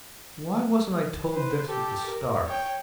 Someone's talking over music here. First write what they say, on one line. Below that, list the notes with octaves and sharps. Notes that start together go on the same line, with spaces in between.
"Why wasn't I told this at the start?"
B4 C5
G4 A4
A#4
C#5 G5